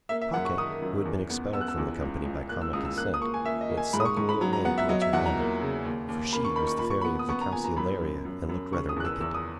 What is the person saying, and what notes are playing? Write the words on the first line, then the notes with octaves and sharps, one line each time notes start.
Pocket, who had been expelled from the company by common consent, went sulkily away towards her hammock, for she was the fairy of the calceolaria, and looked rather wicked.
A#3 E5
E5
F#2 F#5
C#6
D#3 D#6
F#2
E2
B3
B3 E6
F#6
E6
E2
C#2
C#2
A#3 F#6
E6
C#2 D#6
E6
A#3 F#6
D#6
A#3 C#6
G#5
A#3 E5
D#5
A#3
G#5
G#2 B5
D#6
C#6
G#2 C#6
B5
F#3 A#5
A#5
B3 F#5
E5
F#3 D#5
E5
E2 F#5
A#5
A#3
C#3
D#2
D#2
A#3 B5
C#6
D#3 B5
C#6
A#2 B5
C#6
B3 B5
D#6
B3 C#6
A#5
A#2 G#5
A#5
F#2 B5
F#2
F#2
F#2
C#3 C#6
D#6
E2 F#6
E6
E2 E6
D#6